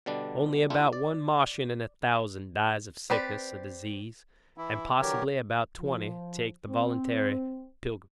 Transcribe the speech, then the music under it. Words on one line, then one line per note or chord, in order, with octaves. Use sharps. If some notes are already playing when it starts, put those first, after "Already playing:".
Only about one Martian in a thousand dies of sickness or disease, and possibly about twenty take the voluntary pilgrimage.
B2 D3 G3 D4
A3 D4 E4 F4 G4
D5
C4 G4 B4 D5
E3 E4
D3 E3 F#3 G4 A#4 C#5
F3
C4